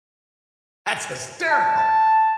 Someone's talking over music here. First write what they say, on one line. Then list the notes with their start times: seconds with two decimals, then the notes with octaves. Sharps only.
that's hysterical.
1.50 A5